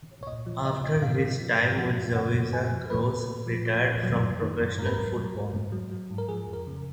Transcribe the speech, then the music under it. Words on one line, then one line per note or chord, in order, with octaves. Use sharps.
After his time with Zawisza Gross retired from professional football.
C#5
A#2 D#5
F3
F3 D#5
A#2 D#5
G#2 F5
F3
F3
G#2
F3 F#5
F#2
C#3 F#5
F#2
A#2 G#5
F3
F3 B4
A#2
A#2
F3
F3
A#2
F#3
F#2
D#3
F#2
G#2 A#4
B4
F#3 A#4
F#3
G#2
G#2
F#3
F#3
G#2
A#4
F3 G#4
F2
A#4
C#3